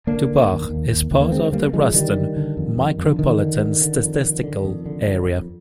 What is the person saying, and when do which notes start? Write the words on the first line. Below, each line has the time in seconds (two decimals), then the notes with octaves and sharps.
Dubach is part of the Ruston Micropolitan Statistical Area.
0.07 D3 A#3 D4
0.27 D3
0.48 D#2
0.70 D#2
0.90 D#2
1.11 D#2
1.20 A#3
1.31 D3 G#3 C4
1.52 D3 G3 A#3
1.69 A#3
1.73 D3 F3 G#3
1.94 D3 D#3 G3
2.16 D3
2.36 D3
2.57 F2
2.78 F2
2.99 F2
3.06 D3
3.19 D3 D#3
3.40 D3
3.61 D3
3.81 D3
4.03 F2
4.24 D3
4.44 D3
4.65 F2
4.86 D3
5.07 D3
5.27 F2